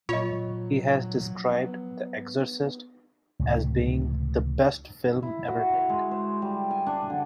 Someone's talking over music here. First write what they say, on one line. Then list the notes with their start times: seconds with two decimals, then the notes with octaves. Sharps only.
He has described "The Exorcist" as being "the best film ever made".
0.09 A#2 F3 F#3 F4 C#5 D#5
1.52 B3
3.39 C#2 A2 C3 E3
5.22 E4
5.48 F#4
5.74 C#5
5.89 G#3
6.11 C5
6.42 G3
6.71 G#5
6.87 D4
7.10 D3